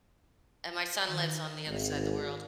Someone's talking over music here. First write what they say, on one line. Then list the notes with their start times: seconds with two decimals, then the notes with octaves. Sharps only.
And my son lives on the other side of the world.
1.10 D#3
1.67 G#1